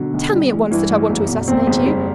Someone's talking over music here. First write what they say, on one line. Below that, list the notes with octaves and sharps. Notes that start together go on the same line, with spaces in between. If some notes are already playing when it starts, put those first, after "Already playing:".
"Tell me at once that I want to assassinate you?"
Already playing: B2 D3 F#3
B1
G3
E3
G2 E3
A1
F#1
B2
E2 C4
F#1
G3